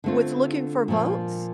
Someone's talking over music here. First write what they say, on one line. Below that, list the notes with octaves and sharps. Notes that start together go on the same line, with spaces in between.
was looking for votes?
D3 A3 C4 F4
A#2 F3 A#3